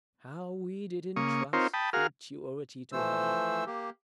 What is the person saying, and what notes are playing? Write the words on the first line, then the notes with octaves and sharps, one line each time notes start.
How we did entrust Futurity to her!
C#3 A#3 C#6 D#6
C4 D#4 F4 A#4 C5 C#5
G5 A5 B5 D#6
F#4 G#4 A#4 F5 F6
E3 F3 A3 C5 E6
A#3 G4